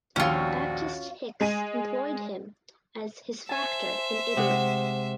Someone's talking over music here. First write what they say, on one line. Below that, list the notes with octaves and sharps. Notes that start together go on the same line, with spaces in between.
Baptist Hicks employed him as his factor in Italy.
A#1 D#2 G3 C4 C#4 F4 F#4
G#3 G#5 D#7
C5 E5 G#5 A5
C3 G#3 F#5